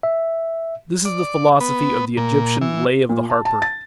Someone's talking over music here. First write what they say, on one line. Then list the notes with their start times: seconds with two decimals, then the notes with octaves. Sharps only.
This is the philosophy of the Egyptian "Lay of the Harper".
0.03 E5
1.05 D5
1.61 B3
2.17 A#2
2.61 E3
3.09 A#2
3.30 A5
3.45 A5
3.62 A6